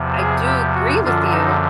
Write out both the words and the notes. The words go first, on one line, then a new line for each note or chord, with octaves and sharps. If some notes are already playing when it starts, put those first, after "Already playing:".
I do agree with you
Already playing: E2 C3 F3
G#4
G4
F#4
F#2 D3 F3 F4
D#4